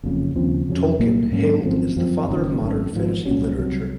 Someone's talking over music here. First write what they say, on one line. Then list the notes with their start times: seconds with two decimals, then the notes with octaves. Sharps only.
Tolkien, "hailed as the father of modern fantasy literature".
0.04 F#1 F2 C#3
0.36 D#2 C#3 F3 C4
0.68 F2 C3 F#3 C#4
0.99 C2 A#2 F#3 A#3
1.31 G#2 F#3 A#3 C#4
1.64 G#1 F#2 F3 C4
1.96 F#2 F3 C4
2.28 F#1 F#2 D#3
2.62 G#1 F#2 D#3
2.93 G#1 G#2 F3
3.26 C2 A#2 F#3 C#4
3.58 C2 C3 F#3